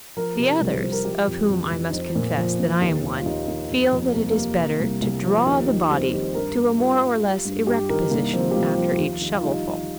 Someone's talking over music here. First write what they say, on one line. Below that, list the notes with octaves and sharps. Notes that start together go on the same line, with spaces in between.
The others, of whom I must confess that I am one, feel that it is better to draw the body to a more or less erect position after each shovelful.
F3 A#4
C3
C2
C2 C5
A#4
F3 G4
F2
F2
F2
D#4
F3 C4
A#2
F3
A#2
D#2
D#2
F4
D#2 D#4
D#2
F2
F2
C3 A#3
A#3
G3
C3
C2
C2
F3
D#2
D#3
G3 C4
D#3
C5
G2 A#4
G2
G3 F4
G2
G3
G2
G2 G4
D#3 A#4
C2 A#3
F3 C4
G4
C2 F4
F3
D#2
D#3
F4
G3 D#4
G3